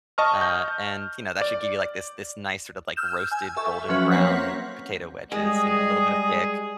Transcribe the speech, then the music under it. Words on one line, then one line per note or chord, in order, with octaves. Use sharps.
Uh, and, you know, that should give you, like, this this nice sort of, like, roasted golden brown potato wedges, you know, little bit of kick.
D#5 A5 C#6 D#6 F6
G6
D5
E6 F6 G6 E7
G#5
A4 E5 C#6
F3 F#3 C#4 F#4 B4
A#3 C4 C#5 F#5 B6
G3 G#3 G#4 D#5